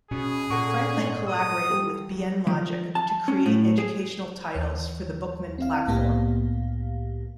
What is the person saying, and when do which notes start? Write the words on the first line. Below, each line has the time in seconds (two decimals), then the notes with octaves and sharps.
Franklin collaborated with Bien Logic to create educational titles for the Bookman platform.
0.11 B2 C#4 G#4
0.50 A#2 A4 F#5 C#6
0.97 G#2 D#5 C6
1.28 D#6
1.70 F3 G3 A4
2.47 F3
2.95 A5
3.28 C#4
3.46 A2
3.78 G#4
4.54 D#2 E3 C#5
5.58 C4 E4 F5
5.87 C2 A2 A#3 B3 G4 F5